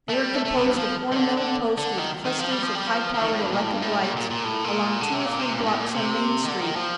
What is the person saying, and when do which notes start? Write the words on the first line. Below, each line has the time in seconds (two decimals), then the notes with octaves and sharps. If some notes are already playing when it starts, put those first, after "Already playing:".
They were composed of ornamented posts with clusters of high-powered electric lights along two or three blocks on Main Street.
0.09 A3
0.14 G3
0.34 A3
0.45 A3
0.55 C3
0.65 G2
0.76 F3
1.12 D#3
1.16 D3
1.37 D3
1.78 D3
1.98 D#3
2.25 D#3
2.39 F3
2.51 G3
2.63 F3
2.75 G3
2.87 F3
3.14 F3
3.21 D#3
3.31 A2
3.41 G2
3.52 A#2
3.62 A2
3.72 G2
3.82 A2
4.03 A#2
4.17 A#2
4.30 A#2
4.44 A2
4.64 A#2
5.01 D3
5.14 C3
5.26 A#2
5.39 C3
5.53 A#2
5.60 G2
5.66 A2
5.80 A#2
5.94 C3
6.43 D#3
6.49 D3
6.62 D#3
6.76 F3